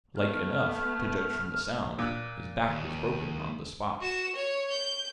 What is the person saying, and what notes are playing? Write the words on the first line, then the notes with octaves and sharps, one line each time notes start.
Like enough, to judge from the sound, his back was broken on the spot.
A3 B3 F6
A#2 E6 F#6
D#2
F#4 E7
C#5
G6